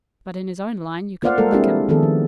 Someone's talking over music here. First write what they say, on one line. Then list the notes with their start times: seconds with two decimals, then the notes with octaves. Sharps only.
But in his own line you couldn't lick him.
1.23 A#3 F4 C5 D5 F5 F#5
1.38 G3 G#3 A#3 A4 A#4
1.52 G#3 C4 D4 E4 G4 G#4
1.89 D#3 F3 B3 G#4 A4
2.03 F3